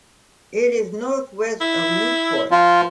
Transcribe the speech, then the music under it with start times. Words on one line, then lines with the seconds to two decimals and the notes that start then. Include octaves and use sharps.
It is north west of Newport.
1.60 E4
2.51 F3 F4